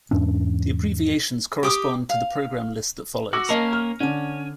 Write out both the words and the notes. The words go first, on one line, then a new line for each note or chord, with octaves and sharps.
The abbreviations correspond to the program list that follows.
E2 G#2 C#4 D4
G4 D6 D#6
F5
F#4 D6 E6 A#6
A#3 C#4 A#4 D#5 A5 C#7
F6
D3 C#4 D4